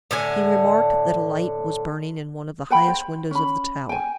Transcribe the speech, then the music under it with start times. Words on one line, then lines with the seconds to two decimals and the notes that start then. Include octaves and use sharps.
He remarked that a light was burning in one of the highest windows of the tower.
0.11 A2 D3 G#5
2.70 B4 F#5 G5 B5
2.88 C5
3.31 C#4 B5
3.89 G5 G#5